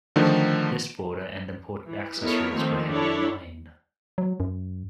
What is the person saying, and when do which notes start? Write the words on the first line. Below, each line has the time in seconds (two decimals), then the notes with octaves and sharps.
This border and important access routes were heavily mined.
0.16 D3 D#3 F3 A3 D#4
1.88 E3
2.21 B3 D#4 E4 A4 A#4 C#5
2.55 D#3 F3 A3 A#3 C4
2.88 D4 E4 A4 C#5
4.18 F#3
4.40 F#2